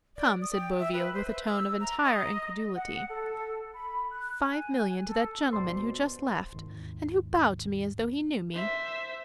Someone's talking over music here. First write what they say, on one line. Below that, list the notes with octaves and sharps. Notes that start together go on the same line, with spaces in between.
"Come," said Boville, with a tone of entire incredulity, "five millions to that gentleman who just left, and who bowed to me as though he knew me?"
D5
D#6
G5
E5
B4
C5
E5
E6
A#5
D#5
F#5
A4
B5
F#6
G#5
A4
G1 B2 C5 D5 C6
D#2 G#2 D#3
C5 E5